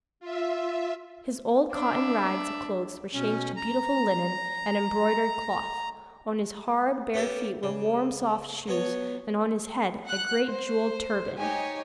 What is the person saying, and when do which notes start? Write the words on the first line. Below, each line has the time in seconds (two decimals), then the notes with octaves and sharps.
His old cotton rags of clothes were changed to beautiful linen and embroidered cloth; on his hard, bare feet were warm, soft shoes, and on his head a great jewelled turban.
0.20 F4 E5
1.71 D4 E5
3.14 B2 C#4
3.56 A#5
7.14 B3 C#4 G4 A4
7.63 C#3
8.67 F#3 B3 C#5
10.04 F#5 F#6
10.47 C5
11.38 D#4 G4 C#5 G#5